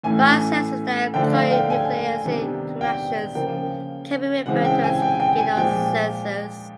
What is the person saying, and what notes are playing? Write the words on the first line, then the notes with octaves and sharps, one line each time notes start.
Biosensors that employ nucleic acid interactions can be referred to as genosensors.
A2 E3 A3 C#4 G#5
D3 F3 A3 D4 G5
F5
G5
G#5
C3 D#3 G3 B3 D4
G5
C#3 F3 A#3 G5
C#3 E3 G#3 C4 F#5
G5
G#5
G5
G5
G#5
A#2 F3 G#3 G5